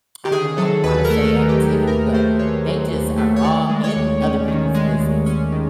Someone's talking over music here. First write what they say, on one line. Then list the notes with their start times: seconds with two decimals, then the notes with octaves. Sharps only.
I don't know wanna say activity, but they just are all in other people's business.
0.25 G4
0.31 D#3 G#4
0.58 F#3 A4
0.84 D#2 B4
1.05 A#4
1.10 A3 A4
1.35 D#3
1.49 G4
1.62 F#3
1.87 D#2 A#4
2.13 A3 C5
2.39 D#3 C#5
2.66 F#3
2.92 D#2
3.18 A3
3.36 C#5
3.44 D#3 D5
3.70 G#3
3.84 C#5
3.96 D#2
4.22 C#4
4.48 D#3
4.75 G#3
5.00 D#2
5.26 C#4
5.52 D#3